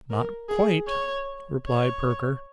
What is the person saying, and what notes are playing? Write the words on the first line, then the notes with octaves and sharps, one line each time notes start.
'Not quite,' replied Perker.
A#4
G#4
C#5
C#5